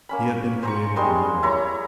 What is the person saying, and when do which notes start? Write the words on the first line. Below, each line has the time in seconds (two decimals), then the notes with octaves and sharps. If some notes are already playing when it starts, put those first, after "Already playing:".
He had been created an Earl.
0.09 A#3 C#4 B5
0.63 C5 A#5 C#6
0.96 G3 G#3 A#3 C6
1.43 E4 C#5 A#5